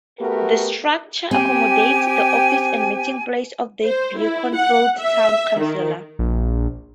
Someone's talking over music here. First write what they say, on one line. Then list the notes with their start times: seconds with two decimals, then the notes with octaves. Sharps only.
The structure accommodates the offices and meeting place of Beaconsfield Town Council.
0.20 A3 B3 F#4 G4 A#4 B4
1.31 C4 G4 G5 G#5
3.84 C5
4.18 E4
4.55 F#5
4.99 E5
5.59 D#3
6.19 A#1